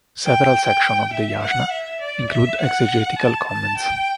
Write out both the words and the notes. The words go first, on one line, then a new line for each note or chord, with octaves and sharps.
Several sections of the "Yasna" include exegetical comments.
G5
E5
F#5
E5
D5
E5
F#5
A5
A5
G5